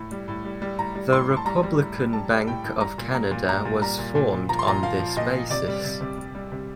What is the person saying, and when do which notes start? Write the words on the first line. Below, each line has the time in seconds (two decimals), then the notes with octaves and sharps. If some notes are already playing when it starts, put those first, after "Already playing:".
The Republican Bank of Canada was formed on this basis.
Already playing: A2
0.11 G3
0.28 A2
0.45 G3
0.62 G3
0.78 A2 A#5
0.95 G3
1.12 A2 C6
1.29 A2
1.37 A5
1.45 G3 A#5
1.63 G3
1.80 A2
1.97 A2
2.13 G3 A5
2.30 G3
2.47 A2 G5
2.64 A2
2.80 G3 A#5
2.98 A#2
3.14 G3 A#5
3.31 A#2
3.48 G3 A#5
3.65 A#2
3.82 G3 A#5
3.99 A#2
4.15 A#2
4.32 A#2
4.49 F3 A#5
4.59 C6
4.66 A#2 A#5
4.83 F3 F5
5.00 F3
5.17 A#2 D#5
5.34 A#2
5.50 C3 D5
5.68 G3
5.84 C3
6.01 C3
6.18 G3
6.35 G3
6.52 C3